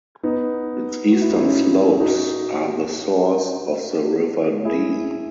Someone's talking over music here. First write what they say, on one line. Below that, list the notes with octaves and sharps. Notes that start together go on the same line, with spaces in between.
Its eastern slopes are the source of the River Dee.
B3 D#4
F#4
E4
D#4
C#4 E4
D#4 F#4
E4 G#4